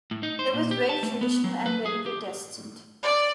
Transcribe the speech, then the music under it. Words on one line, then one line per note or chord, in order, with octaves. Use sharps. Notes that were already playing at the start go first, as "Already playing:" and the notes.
It was very traditional and very Protestant.
A2
D#4
C5
A#2
G4
A5
A3
B3
F#3
B4
G#4
G4
D5